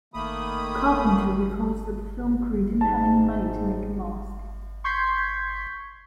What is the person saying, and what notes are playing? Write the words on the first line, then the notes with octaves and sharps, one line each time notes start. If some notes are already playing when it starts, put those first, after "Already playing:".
Carpenter recalls that the film crew didn't have any money to make a mask.
D#3 A3 A#3 B5 D#6
G#2 A5
C6 C#6 G6 G#6 B6 C7